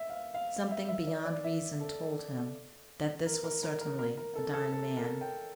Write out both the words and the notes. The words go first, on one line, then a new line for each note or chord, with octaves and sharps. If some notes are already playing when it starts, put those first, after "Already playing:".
Something beyond reason told him that this was certainly a dying man.
Already playing: E5
F5
F5
E5
E5
D5
D5
E5
A4
A#4
A#4
A#4
A#4
A#4
A#4
A4
A4
A4
A#4
G5